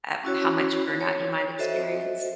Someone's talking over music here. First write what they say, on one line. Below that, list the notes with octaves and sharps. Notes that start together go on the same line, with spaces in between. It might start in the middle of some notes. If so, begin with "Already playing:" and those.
uh, how much burnout you might experience?
C#4 E4 F#4 C#5
C#5
F#4 A4 C5 D#5 E5